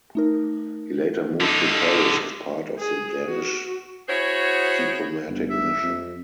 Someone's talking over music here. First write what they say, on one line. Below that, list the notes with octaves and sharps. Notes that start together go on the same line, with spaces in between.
He later moved to Paris as part of the Danish diplomatic mission.
A3 D#4 A#4
D3 D#4
G#4
F#4
E4 F#4 G#4 C5 C#5
G1
E5
F2